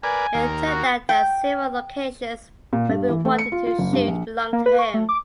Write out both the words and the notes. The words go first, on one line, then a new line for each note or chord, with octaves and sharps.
It turned out that several locations where we wanted to shoot belonged to him.
A#4 B4 D5 G#5
D#2 A#4
F#4
G5
A#2
G2
E3
A3
C#7
F4
F4
F#1
G2
A#1
A#3
B4
C#6
A3
D6